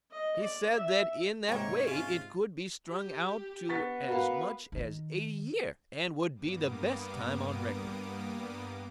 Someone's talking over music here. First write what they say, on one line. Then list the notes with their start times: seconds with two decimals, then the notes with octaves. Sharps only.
He said that in that way it could be strung out to as much as eighty year, and would be the best time on record.
0.11 D#5
0.42 D5
0.76 E5
1.49 G#2 C3 A#3 C#5 G5
1.87 C#4 F4
2.89 G4
3.69 B3 C#6 A6 B6
4.08 F#4 A#4 B4 F5
4.72 D#3
6.32 G2 G3 A#3 B3 D6 D#6